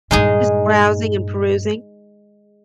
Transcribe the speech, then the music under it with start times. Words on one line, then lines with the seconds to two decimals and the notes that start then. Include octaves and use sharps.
Just browsing and perusing.
0.11 G2 A#2 G#3 D#4 G#4